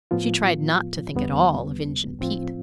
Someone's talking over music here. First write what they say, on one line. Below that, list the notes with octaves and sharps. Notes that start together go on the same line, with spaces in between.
She tried not to think at all of Injun Pete.
A2 F3 B3 F4
E2 D3 G3 B3
A2 F3 C4 F4